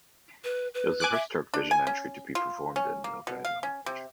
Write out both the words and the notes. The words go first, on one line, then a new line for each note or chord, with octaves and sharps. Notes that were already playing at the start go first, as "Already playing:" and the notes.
It was the first Turkvision entry to be performed in the Nogai language.
B4
B4
G#5 D6 F#6
E5
D4
G#5
C#4
F4
C#4
A#3
B2
F5
C#4
C3